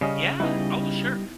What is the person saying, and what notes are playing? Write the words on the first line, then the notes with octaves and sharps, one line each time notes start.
Yeah. Oh, sure.
C#3 G3 C#4 D#5
G3 B3 D#4 E4 D#5